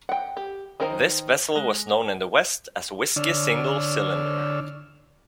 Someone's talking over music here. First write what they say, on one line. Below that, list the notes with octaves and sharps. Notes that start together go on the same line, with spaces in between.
This vessel was known in the West as Whiskey Single Cylinder.
F#5 G5
G4
D#3 D#4 A#4 C5 A#5
G#3
D3 D4 C#5 D5 E6 F6